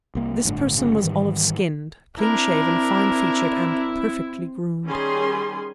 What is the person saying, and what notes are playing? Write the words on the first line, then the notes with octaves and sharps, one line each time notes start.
This person was olive-skinned, clean-shaven, fine featured, and perfectly groomed.
C2 A#3
G1 A2 D3
G1 C#3
G#2 D#3 E3 G3
C4 D4 E4 A#4
D#3 G3 C#4 G#4 G#5 C6